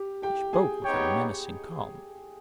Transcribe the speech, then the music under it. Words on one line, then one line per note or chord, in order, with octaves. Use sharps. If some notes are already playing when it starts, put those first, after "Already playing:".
He spoke with a menacing calm.
Already playing: G4
G4 G5
G#4 G#5
B3 D#4 G4 C#5 G5